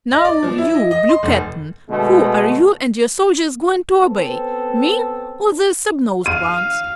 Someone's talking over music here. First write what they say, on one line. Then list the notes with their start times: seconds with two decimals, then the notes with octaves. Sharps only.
"Now, you Blue Cap'n, who are you and your soldiers going to obey--me or the snubnosed ones?"
0.11 D#5
0.25 D5
0.43 F3
0.58 E4
0.75 D#5
0.91 D#5
1.09 C6
1.23 F1
1.89 B2 D3 G#3 A3 B3
4.00 B3 C4 A4
6.26 F5 D#7